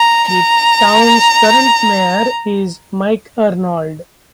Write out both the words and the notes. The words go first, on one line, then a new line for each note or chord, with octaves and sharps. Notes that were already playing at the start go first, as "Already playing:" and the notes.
The town's current mayor is Mike Arnold.
Already playing: A#5
A#5